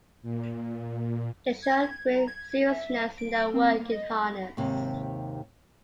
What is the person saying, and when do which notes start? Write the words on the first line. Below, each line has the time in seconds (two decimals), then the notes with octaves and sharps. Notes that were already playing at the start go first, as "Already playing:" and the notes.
They show great seriousness in their work in harness.
0.22 A#2
1.62 G#6
2.16 A#5
2.28 G#6
2.68 E5
3.18 D7
3.54 C4
3.80 A#3
3.92 D#5
4.57 D#2 G#2 C3 D#3